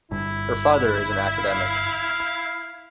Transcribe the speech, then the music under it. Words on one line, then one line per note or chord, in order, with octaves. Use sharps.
Her father is an academic.
G1 E4
F5